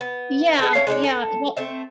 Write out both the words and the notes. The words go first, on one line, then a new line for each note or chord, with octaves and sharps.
Yeah, yeah. Well,
B3
B3 G#4 A4
C#4 E4 C#5 F5
G#3 D4 D#4 C#5
A4
A3 C4 E5